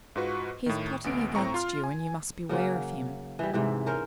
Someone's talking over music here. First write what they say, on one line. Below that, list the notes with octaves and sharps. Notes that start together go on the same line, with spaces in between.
He is plotting against you, and you must beware of him.
G#2 F4 F#4 B4 C#6
A2 D#3
A1 D2 B3 D7
A2 C4 A#5 C#6
F4 C6 F6
G#5
C#3 F#3 A#3 C#4
E3 G3
G#2 C3 E3
C#4 A#4 C5